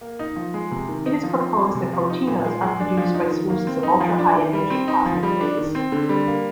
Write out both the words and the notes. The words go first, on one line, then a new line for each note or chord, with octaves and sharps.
It is proposed that photinos are produced by sources of ultra-high-energy cosmic rays.
A#3
D#4
F3
G#3
C3
D#3
D#4
F3
C4
G#3
C3
F3
D#4
A#2
G#3
G#3
D4
F3
D#4
D#3
A#3
C4
D#4
F3
D4
D#3
G3
C4
D#4
F3
G3
D4
D#3
C4
D3
G3
A#3